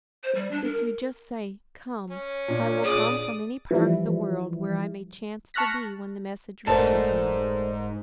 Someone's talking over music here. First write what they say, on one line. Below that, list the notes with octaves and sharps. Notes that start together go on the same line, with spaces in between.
If you just say: "COME," I will come from any part of the world where I may chance to be when the message reaches me.
C5
G3
D4
A#4
C#4
A#2 D4
G#4 D5 D#6
E3 F3 G3 E4
A5 C#6 F6 F#6 A#6 B6
F1 G#2 A3 A#4 C5 D5 A5